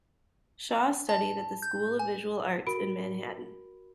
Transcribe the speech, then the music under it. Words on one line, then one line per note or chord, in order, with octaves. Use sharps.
Shaw studied at the School of Visual Arts in Manhattan.
A5
G6
G#5
F#4 A#4 B5 D7